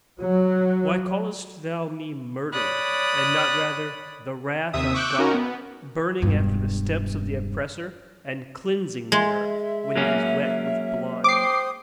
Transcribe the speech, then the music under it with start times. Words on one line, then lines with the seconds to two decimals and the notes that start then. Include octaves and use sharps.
"Why callest thou me murderer, and not rather the wrath of God burning after the steps of the oppressor, and cleansing the earth when it is wet with blood?"
0.22 F#3
2.52 C#5 D5 B5 D#6 F#6
4.73 D#2 C3 E5 D#6
4.94 C#6 D6 E6 F#6 G6 D7
5.18 C#4 D#4 F#4 A#4
5.34 B3
6.22 E1 G2
9.12 G#3 E5
9.96 F#3 A#3 C#4
11.24 C5 G5 D6 D#6 C7